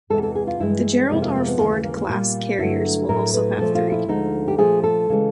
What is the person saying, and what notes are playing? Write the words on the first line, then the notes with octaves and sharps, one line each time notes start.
The "Gerald R. Ford"-class carriers will also have three.
E2 C3 E3 G#3 A4
A4
G#4
F4
G2 E3 G#3 E4
F2 C3 F3 G#3 A#3
A#3
A#3
B3
D#2 C#3 E3 A3 A#3
A3
A#3
A#3
A#2 G3 A#3
G2 D3 F#3 A3 E4
A2 F#3 A3 A#4
B4
A#2 F3 A3 A4
F4
E4
D2 D3 F3 G#3 D#4
G4
A#2 F3 A3 G#4
A4
C#3 E3 G#3